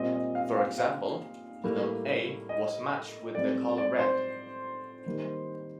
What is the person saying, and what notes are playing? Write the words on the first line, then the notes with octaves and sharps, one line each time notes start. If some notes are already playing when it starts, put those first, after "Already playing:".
For example, the note A was matched with the colour red.
Already playing: A#2 G3 C4 D#5
D#5
F5
F5
F5
A2 G3 A#3
D#5
A2 G3 C4 D5
D5
C5
D#3 G3 A#3